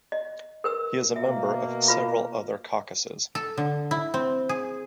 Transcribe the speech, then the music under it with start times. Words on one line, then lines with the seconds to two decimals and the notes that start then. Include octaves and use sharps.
He is a member of several other caucuses.
0.12 D#5
0.64 A#4 B4 E6
1.16 B2 A#3 E5
1.88 F4 B4
3.35 A4
3.58 D3
3.91 E4
4.14 C4
4.49 G#4